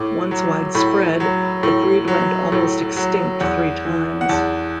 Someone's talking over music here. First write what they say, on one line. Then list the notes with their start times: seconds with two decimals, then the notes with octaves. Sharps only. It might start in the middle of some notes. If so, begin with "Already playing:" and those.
Once widespread, the breed went almost extinct three times.
Already playing: A2 D6
0.31 F#3
0.75 A2 B5
1.20 F#3
1.63 A2
2.08 F#3
2.52 A2
2.96 F#3
3.40 E2 F#5
3.85 E3
4.21 F#5
4.29 E2 A5